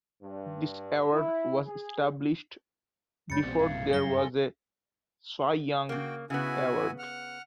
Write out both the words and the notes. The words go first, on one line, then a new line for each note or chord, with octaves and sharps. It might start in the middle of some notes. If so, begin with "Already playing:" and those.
This award was established before there was a Cy Young Award.
G2
E4
G#4
F#1 F#2 G#3 C#5 B5 G6 A6 C#7
B1 E2 A#2 G3 B3 C4 C5 D5
G2 E4 F5 G#6
F#2 F#3 A#6 G7
F#2 A4 G#5 C6
C#3 A#3 F#4 G5
C#3 B3 E4 F#4 G#5
F#5 F6